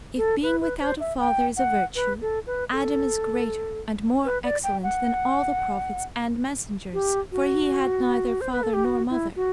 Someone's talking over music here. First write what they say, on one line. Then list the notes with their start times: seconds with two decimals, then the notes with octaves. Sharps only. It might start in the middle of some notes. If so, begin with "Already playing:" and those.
If being without a father is a virtue, Adam is greater and more excellent than all the Prophets and Messengers, for He had neither father nor mother.
0.18 A4
0.42 B4
0.61 B4
0.81 C5
1.00 E5
1.19 G5
1.57 F#5
1.95 B4
2.21 A4
2.47 B4
2.72 A4
4.25 B4
4.44 D5
4.63 G5
4.83 F#5
6.93 G4
7.32 F#4
8.41 C5
8.52 B4
8.63 A4
8.73 G4
8.85 F#4
9.10 E4
9.36 F#4